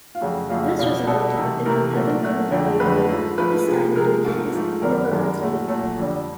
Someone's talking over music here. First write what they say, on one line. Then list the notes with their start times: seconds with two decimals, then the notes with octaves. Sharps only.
This resulted in another condominium, this time between Hesse and the Palatinate.
0.15 F4
0.21 F2 C#3 F#3 A3 F#4
0.49 F2 C#3 F#3 A3 F4
0.59 F4
0.69 E4
0.79 B2 G3 F4
1.07 B2 G3 A4
1.36 C3 E3 A3
1.65 C3 E3 A3 A#4
1.94 A#2 F#3 A3
2.23 A#2 F#3 A3
2.51 F2 D3 F#3 A3
2.80 F2 D3 F#3 A3 B4
3.09 G#2 F3 A3
3.38 G#2 F3 A3 B4
3.67 C3 F3 G#3
3.95 C3 F3 G#3 A#4
4.25 G#2 F3 A3
4.53 G#2 F3 A3
4.82 F#2 D#3 G3 A#4
5.11 F#2 D#3 G3
5.40 A#2 F#3 A3
5.68 A#2 F#3 A3 A4
5.98 F2 D3 G3